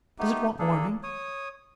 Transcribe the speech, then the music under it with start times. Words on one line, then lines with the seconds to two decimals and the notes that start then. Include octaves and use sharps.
Does it want warming?
0.19 A3 B3 D#4 G4
0.59 A#3 D4 G#4 A4
1.03 C#5 D#6